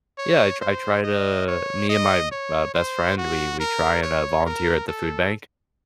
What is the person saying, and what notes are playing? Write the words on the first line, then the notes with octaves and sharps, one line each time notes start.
Yeah, I I try to me and my, uh, best friend, we we try and, uh, volunteer at the food bank,
C#5
C5
D#5
C#5
D#5
C#5
C5
F#4
A#4
C#5
A#4
A4